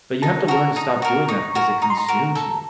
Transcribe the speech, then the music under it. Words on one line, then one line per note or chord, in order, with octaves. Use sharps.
But you have to learn to stop doing that because it consumes you.
D#4 A5
F#4 A#4
D#4
F#4 A#4
D#4 C#6
F#4 A#4
D#4 A#5
C6
A#5
F#4 A#4
A4